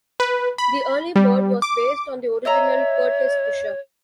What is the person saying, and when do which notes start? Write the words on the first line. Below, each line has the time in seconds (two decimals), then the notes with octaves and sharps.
The Early Bird was based on the original Curtiss Pusher.
0.20 B4
0.58 B5
1.16 G3
1.62 D6
2.45 C#5 D#5 E5 A#5